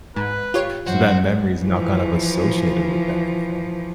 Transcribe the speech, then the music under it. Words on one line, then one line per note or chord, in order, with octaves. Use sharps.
so that memory is now kind of associated with that, you know?
G#2 B4
F4 G4 C#5
F#2 F#4 C5
E3 F3